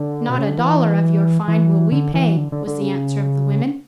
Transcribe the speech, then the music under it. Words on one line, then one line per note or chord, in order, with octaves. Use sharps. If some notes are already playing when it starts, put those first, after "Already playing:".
"Not a dollar of your fine will we pay," was the answer of the women.
Already playing: D3
B2
C#3
D3
E3
E3
D3
E3
D3
D3
D3
C#3